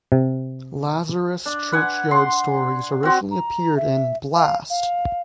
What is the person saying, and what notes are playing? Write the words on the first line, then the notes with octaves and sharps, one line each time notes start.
Lazarus Churchyard stories originally appeared in Blast!
C3
D4
B4 F#5 G#5
C6
C4 F#4
A#5
E5
F5
F5